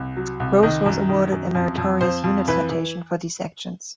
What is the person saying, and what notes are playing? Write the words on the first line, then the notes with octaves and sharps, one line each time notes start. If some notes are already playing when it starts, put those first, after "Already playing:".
Groves was awarded a Meritorious Unit Citation for these actions.
Already playing: C2
F#3
C2
D#3 D#5
F#2
D#3
F#2
F2
F2
F2 C5
F2
E3 B4
E3